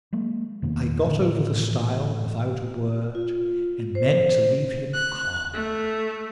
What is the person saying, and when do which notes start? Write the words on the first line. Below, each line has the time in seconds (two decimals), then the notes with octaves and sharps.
I got over the stile without a word, and meant to leave him calmly.
0.13 F#3 G#3 A#3
0.62 E2 B2 D#3 A#3
1.04 A2 D3 E3
1.55 A2 E3
3.15 F4
3.95 C5
4.94 F#6
5.54 A3